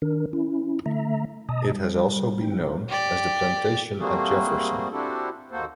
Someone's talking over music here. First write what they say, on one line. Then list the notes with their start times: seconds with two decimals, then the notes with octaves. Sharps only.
It has also been known as the Plantation at Jefferson.
0.02 D#3 D4 A#4
0.33 C#4 E4
0.86 D3 A3 E5 A#5
1.49 B2 D#5 A5 A#5 D#6
1.73 G3
2.41 D#4 G5
2.88 G4 D5
3.99 G3 A3 A#3 C4 F#4 G#4
4.92 C4 D4 E4 F#4 G4 A4
5.51 D#2 A#3 F#4 A4 C5